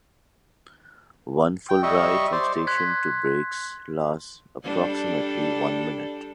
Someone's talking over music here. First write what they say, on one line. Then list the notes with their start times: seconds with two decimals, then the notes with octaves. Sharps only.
One full ride from station to brakes lasts approximately one minute.
1.69 G5
1.83 G3 D#5 E5 C#6
2.32 C5 D5
2.67 C6 F#6 G#6 B6
4.63 G3 D4 A4